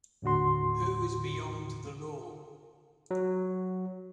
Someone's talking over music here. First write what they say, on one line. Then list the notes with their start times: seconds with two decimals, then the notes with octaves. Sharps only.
Who is beyond the law?
0.22 D#2 A2 D3 F#4 C6
3.11 F#3